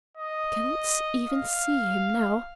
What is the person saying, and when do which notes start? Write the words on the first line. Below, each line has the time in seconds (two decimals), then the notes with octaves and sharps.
I cannot even see him now.
0.17 D#5
1.29 F5